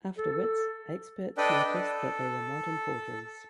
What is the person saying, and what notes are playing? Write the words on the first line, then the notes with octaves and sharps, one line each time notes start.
Afterwards experts noticed that they were modern forgeries.
A4
D4 A4 B4 D5 D#5 G5
A4